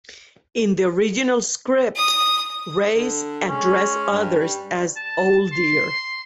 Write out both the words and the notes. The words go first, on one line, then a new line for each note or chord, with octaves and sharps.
In the original script, Race addressed others as "old dear".
D#6
D3
G#3 C#4
G2
G3
A5
C6